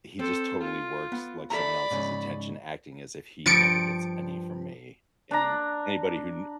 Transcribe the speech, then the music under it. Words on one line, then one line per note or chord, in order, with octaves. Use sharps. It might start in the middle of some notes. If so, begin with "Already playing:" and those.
he just totally works like someone else's attention, acting as if he never gets any from me, and anybody who kn
C4 A4 C5
F4
B3
A4 D5 E5 A#5 B5
G#2 C#3
G2 F3 A6 C#7 D7
D4 A#5